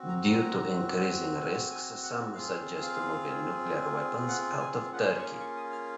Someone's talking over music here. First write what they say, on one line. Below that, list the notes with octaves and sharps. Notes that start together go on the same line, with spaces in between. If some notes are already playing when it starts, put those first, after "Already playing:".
Due to increasing risks some suggest moving nuclear weapons out of Turkey.
Already playing: C4 F#4
A#5
A#5
G#5
F#5
C4 F4 G#4 F5
C#5
F5
F#5
G#5
A#3 C#4 F4 G#4 F#5
C#6
D#6
C#6
D#6
F6